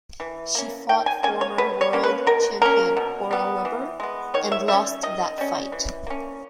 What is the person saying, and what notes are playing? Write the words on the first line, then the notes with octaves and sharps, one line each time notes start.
She fought former world champion Cora Webber, and lost that fight.
E3
A#3 C#4
D#3 G5
G#5
A#3 C#4 G#5
C#5
B2 B4
C#5
A#3 C#4
B4
B2 A#4
A#3 C#4 A#4
B2
G3 B3
E3
G#3 B3
D#3 C#5
E5
G3 C#4 E5
D#3 D#5
G3 C#4
E3
A#3 C#4